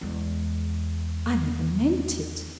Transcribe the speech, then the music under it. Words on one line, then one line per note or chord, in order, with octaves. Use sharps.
I never meant it!
E2 G#3